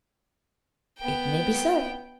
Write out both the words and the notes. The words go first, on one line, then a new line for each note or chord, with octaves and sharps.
It may be so.
B3 G5